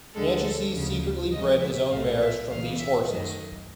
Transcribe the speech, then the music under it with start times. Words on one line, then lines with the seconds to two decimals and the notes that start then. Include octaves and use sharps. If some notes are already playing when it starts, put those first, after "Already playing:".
Anchises secretly bred his own mares from these horses.
0.15 D2 D3 F3 G#3 A4
0.73 D2 C#3 F3
1.31 F2 C#3 F3 G#3 D#5
1.61 E5
1.90 B1 A2 F#3 A3 F5
2.20 E5
2.49 C#2 C#3 E3 A3 F5
2.79 E5
3.08 F#2 D#3 F#3 A3 D#5